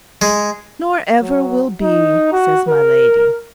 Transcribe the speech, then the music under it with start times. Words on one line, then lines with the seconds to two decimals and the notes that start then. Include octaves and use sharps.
"Nor ever will be," says my Lady.
0.22 G#3
1.22 F#3
1.82 D#4
2.33 F#4
2.69 A#4